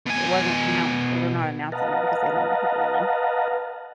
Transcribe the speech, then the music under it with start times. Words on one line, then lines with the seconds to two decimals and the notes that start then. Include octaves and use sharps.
it wasn't announced or they're not announcing it because they don't want people to know.
0.06 B2 G#5
1.72 B4 D#5 F5 F#5 A5 A#5